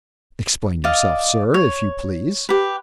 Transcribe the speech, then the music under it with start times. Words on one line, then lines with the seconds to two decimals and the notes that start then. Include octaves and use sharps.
"Explain yourself, sir, if you please."
0.84 D5 D#5 F5
1.54 C#5
2.49 G4 B4